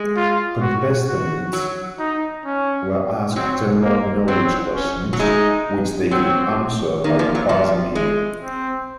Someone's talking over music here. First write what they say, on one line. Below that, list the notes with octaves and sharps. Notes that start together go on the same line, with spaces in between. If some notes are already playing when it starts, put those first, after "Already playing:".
Contestants were asked general knowledge questions, which they could answer by buzzing in.
Already playing: G#3
F4
F#4
F#4
F#3
D#4
C#4
F#3 C4
A#3
F#3 C4
C#4
F#3
G#3 D#4
F#3 C4
D#3 A#3
F3
F#3
F3
G#3
C4